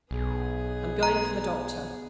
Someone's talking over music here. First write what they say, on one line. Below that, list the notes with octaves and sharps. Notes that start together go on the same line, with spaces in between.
I am going for the doctor.'
B1 B3 G#4
A#5